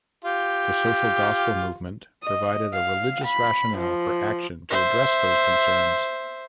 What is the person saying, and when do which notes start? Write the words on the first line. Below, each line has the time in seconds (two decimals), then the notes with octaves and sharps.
The social gospel movement provided a religious rationale for action to address those concerns.
0.24 F4 G4
2.23 D#5
2.73 F5
3.25 B5
3.78 F3
4.70 C5 E5